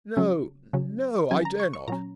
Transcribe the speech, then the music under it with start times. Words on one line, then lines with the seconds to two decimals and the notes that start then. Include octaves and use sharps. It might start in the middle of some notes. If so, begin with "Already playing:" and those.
"No--no, I dare not."
0.17 C#3 F#3 C#4
0.73 C#3 F#3 C#4
1.31 C#3 F#3 C#4 G#5
1.45 A#5
1.60 C#6
1.73 C#6
1.88 A#2 F#3 C#4 A#5